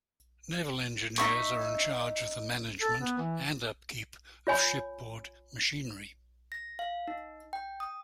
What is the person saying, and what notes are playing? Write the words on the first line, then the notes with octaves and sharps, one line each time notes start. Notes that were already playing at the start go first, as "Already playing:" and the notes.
Naval engineers are in charge of the management and upkeep of ship-board machinery.
D#4 E5 C#6
A4
B3
E3
F4 C#5 G#5 B5
A#6
F5
D#4
G5
D#6